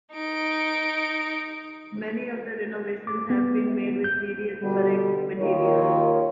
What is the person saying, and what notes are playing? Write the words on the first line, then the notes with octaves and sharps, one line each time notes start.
Many of the renovations have been made with period correct materials.
D#4 D7
D6
B3
G6
B2 D3 G3
D#2 D#3 F4 A#4 C#5